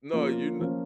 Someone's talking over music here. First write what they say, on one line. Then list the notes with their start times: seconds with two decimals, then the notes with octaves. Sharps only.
No, you kno
0.13 F3 A#3 C#4 F4
0.59 F3 A#3 C#4 F4